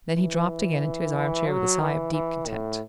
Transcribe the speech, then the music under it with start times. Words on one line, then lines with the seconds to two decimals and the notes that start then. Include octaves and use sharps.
Then he dropped again into his armchair with a sigh of deep content.
0.17 E3
1.49 F#3
1.81 E3
2.13 E3
2.47 A2